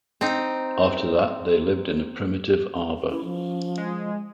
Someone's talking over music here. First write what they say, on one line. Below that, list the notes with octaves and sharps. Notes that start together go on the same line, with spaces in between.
After that, they lived in a primitive arbor.
C4 D#4
C#4 E4
F3
G#3